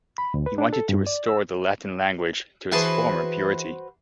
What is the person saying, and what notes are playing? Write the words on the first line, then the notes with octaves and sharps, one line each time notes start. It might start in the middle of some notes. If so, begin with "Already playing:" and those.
He wanted to restore the Latin language to its former purity.
B5
D2
B4
D4
A4
G2
D5
E6
E3 F#4 G#4 B4 C5 A5